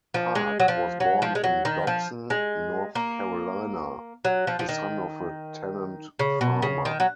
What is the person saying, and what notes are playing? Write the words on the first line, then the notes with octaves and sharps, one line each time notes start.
Park was born in Dobson, North Carolina, the son of a tenant farmer.
F3
G#3
F#3
F3
F#3
F3
G#3
F#3
D#3
F3
G#3
A#3
F#3
F3
F3
D#3
C#3
B2
C#3
D#3
F#3